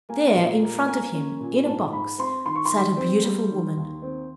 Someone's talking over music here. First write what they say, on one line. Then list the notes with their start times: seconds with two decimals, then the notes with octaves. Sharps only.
There, in front of him, in a box sat a beautiful woman.
0.09 A#3 G#5
0.36 A#2
0.63 A#3
0.88 A#3 G#5
1.14 C#4
1.40 A#2
1.66 G#2 A5
1.92 G#2 B5
2.18 C4 C6
2.45 D#3 C6
2.55 C#6
2.65 C6
2.72 D#3
2.97 C4
3.23 G3
3.50 D#3
3.77 D#2
4.02 C4